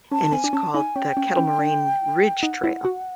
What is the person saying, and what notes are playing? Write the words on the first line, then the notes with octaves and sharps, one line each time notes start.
and it's called the Kettle Moraine Ridge Trail.
C#4 A5
C4 G#5
D4
C#4 A5
D#4 G#5
C#4 G5
C#4
C#4
D4
D#4 F#5
E4
F#4